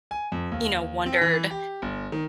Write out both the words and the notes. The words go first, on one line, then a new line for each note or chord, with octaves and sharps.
you know, wondered
G#5
F2
D#2
C4
E3
G4
G1
D#3